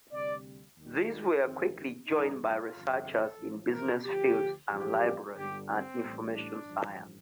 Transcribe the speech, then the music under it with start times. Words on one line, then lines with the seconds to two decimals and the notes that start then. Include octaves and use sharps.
These were quickly joined by researchers in business fields and library and information science.
0.12 D2 C3 G3 D5
0.77 D#2 D#3 G3
1.42 G1 F2 D#3 C4
2.07 A1 G2 D#3 G3 D#4
2.40 F4
2.73 G1 F2 C3
3.06 A4
3.38 A1 A2 F3
3.71 A#4
4.04 D2 D3 F3 G4
4.69 A1 G2 F3 G4
5.35 G1 G2 D3 G3 G4
5.67 C4
6.00 A1 A2 G3
6.33 D4
6.65 A1 G2 F3